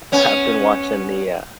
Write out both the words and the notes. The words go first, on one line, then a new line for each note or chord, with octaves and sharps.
I've been watching the, uh
B3 C#4